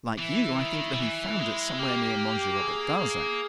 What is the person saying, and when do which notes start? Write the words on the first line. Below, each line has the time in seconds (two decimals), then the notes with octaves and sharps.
Like you, I think that he found it somewhere near Monsieur Robert Darzac.
0.18 E3 E4
0.59 D#3
0.93 G3
0.99 E3
1.39 G#3
1.79 A#3 G4
2.59 G#4